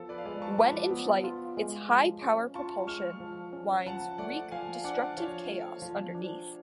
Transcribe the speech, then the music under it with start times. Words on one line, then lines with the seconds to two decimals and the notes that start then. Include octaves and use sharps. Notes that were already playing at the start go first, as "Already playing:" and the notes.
When in flight, its high-power propulsion winds wreak destructive chaos underneath.
Already playing: F3 B3 A4
0.09 B4 D5
0.18 F5
0.25 G#3 B4 D5
0.42 A5 C#6
0.58 F3 B5 D6
0.91 B3
1.24 F4
1.57 G#3
1.89 F3
2.22 C#4
2.54 F4 A5 C#6
2.87 G#3 C#6 F6
3.20 F3
3.53 C#4
3.86 F3 F#5 A5
4.18 A3 D5 F#5
4.51 F3 F5 G#5
4.84 D4 D5 F#5
5.17 F3 C#5 F5
5.50 A3
5.82 F3
6.15 D4